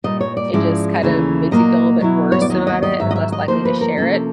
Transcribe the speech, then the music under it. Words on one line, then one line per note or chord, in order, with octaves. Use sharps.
it just kind of makes you feel a little bit worse about it and less likely to share it.
A#2 G3 A#3 D#4 D#5
C#5
D5
G#2 F3 G#3 C#4 E4 D5
D#2 C#3 E3 A3 C#4
A#2 F#3 A#3 D#5
B2 F#3 B3 E4
C#5
D5
D#2 C#3 F#3 D#5
D#5
D#5
G#2 D#3 F#3 E5
D#5
E5
D#5
D2 D3 F3 A#3 D#4 C5
B4
A#4
C3 F3 A#3 C#4 A4